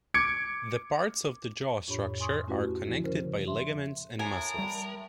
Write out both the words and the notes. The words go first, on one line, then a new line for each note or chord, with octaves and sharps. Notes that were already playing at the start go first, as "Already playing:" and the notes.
The parts of the jaw structure are connected by ligaments and muscles.
D6 G#6 C#7 D7
F2 A2 D4 G4 C#5 B5
G#5 C6 C#6 D#6
A3 C#4 E4 F#4 G4 B4
E2 D3 F3 E4
C#3 C#4 A#4 C5
E5 C6
A2 A#4 G#5
G3